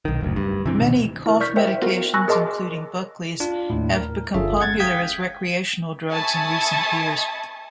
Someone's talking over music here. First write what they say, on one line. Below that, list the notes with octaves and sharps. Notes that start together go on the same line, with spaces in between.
Many cough medications, including Buckley's, have become popular as recreational drugs in recent years.
B1 D#3
F#1 D2
G2
C3 E3 C4
D2 B2 D#3
E4 A#4
D5 C#6 F6 G6 B6
A#4 C5 E5 G5
B3 F4 F#4 A#4
G#5 B5 C#6 E6 F#6 A#6
G#4 A#4 D#5 A5 C6 D6
D4 F4
D#2 A2
A#4
G1 C#4 F4 G#4 A4 E5
G#3 F#5 G#6 A6
F5 G5 D#6 G6 G#6 B6
E5 G#5 A5 B5 C#6 D#6